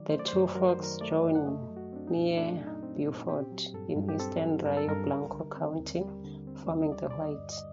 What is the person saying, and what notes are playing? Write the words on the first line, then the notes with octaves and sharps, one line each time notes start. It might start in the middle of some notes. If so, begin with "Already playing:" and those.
The two forks join near Buford in eastern Rio Blanco County, forming the White.
Already playing: D#3 F#3 D5
A3 C5
D5
F#2 C5
F#3 A#4
C5
D#3 A#4
A3 D5
F#2
F#5
A3 D#5
F#3
F#4
C4 D4
D#4
A#2
A3 D4
F#3
D#4
C4
A#2
C4 G4
F#3
G2 A4
G2
G4
C4 A4
F#3
G2 A#4
A4
G2 A#4
G3
D3
C4
D#2
G3
D3
C4
D#2
D#5
G3 D5
D3 D5
D#5
G2
D#5